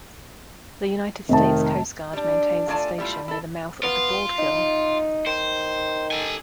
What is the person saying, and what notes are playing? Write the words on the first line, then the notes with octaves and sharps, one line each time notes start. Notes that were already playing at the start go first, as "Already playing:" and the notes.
The United States Coast Guard maintains a station near the mouth of the Broadkill.
F1 D#3 E5 A5
G3 D4
A3 D4 F4 D5 G#5 A5
G3 A3 E4 F4
E4 A4
B3 F4
D#4
D#3 C5
A4 G#5